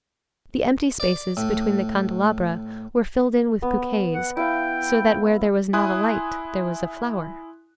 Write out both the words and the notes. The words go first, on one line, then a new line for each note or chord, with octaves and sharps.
The empty spaces between the candelabra were filled in with bouquets, so that where there was not a light, there was a flower.
D5
A2
B3
F#5
E4 F5 G5
E4 G#5 C6 D#6 F#6